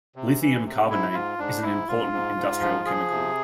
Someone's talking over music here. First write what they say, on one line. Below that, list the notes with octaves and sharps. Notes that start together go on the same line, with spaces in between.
Lithium carbonate is an important industrial chemical.
C3
E3
C3
G#2 E4
G#2 F4
G#2 D4
G#2 E4
G#2 F4
G#2
G#2
F3
F3 G#4
C3